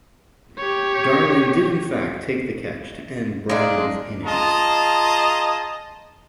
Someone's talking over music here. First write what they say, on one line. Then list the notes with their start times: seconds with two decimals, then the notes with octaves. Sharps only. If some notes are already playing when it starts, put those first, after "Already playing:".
Darling did in fact take the catch to end Bradman's innings.
0.58 G4 C#5
3.49 G#3 D4 D#4 F5
4.25 F4 G#4 D#5 A5 A#5